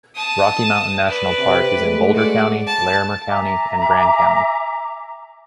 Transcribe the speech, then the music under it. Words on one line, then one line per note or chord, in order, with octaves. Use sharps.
Rocky Mountain National Park is in Boulder County, Larimer County, and Grand County.
A5 D#6
B4 D5
C3
G#3 A3
F#4 D5
A5
E5 G#5 A#5 D6